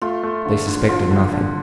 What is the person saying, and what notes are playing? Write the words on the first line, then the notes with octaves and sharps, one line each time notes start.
They suspected nothing.
A3 F4
A3
D3
D3
D3 F4
D3
D3